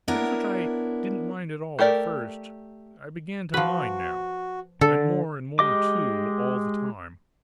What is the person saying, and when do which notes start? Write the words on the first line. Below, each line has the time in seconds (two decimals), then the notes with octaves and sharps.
Things which I didn't mind at all, at first, I began to mind now--and more and more, too, all the time.
0.08 B3 D4 E4 A#4 C#5
1.79 A3 G4 A#4 D5
3.54 F3 F#4 B4
4.81 D3 A4
5.59 G#3 G4 D#5 D6